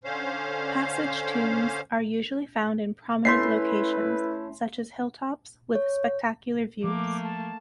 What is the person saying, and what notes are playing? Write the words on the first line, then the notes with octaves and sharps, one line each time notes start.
Passage tombs are usually found in prominent locations, such as hill-tops, with spectacular views.
D3 C#4 C5 F5
A3 C#4 E4 B4 C6 B6 C7
C#5
F3 A3 A#3 D6
A5